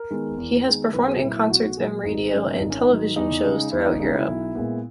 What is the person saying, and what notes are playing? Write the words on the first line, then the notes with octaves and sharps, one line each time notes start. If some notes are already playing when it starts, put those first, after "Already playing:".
He has performed in concerts and radio and television shows throughout Europe.
Already playing: A#4
D#3 G#3 B3
E2
D#3 G#3 B3
B1 B4
G#4
A#2 F#3 E4
E4
B1 F#4
A#2 F#3 G#4
G#1 D#4
G#2 D#3 F#3 C#4
G#1 D#4
C#4
D#4
G#2 D#3 F#3
E2 D#4
C#3 G#3
E2 E4
D#4
C#3 G#3 D#4
E4
B1
A#2 G#3 B3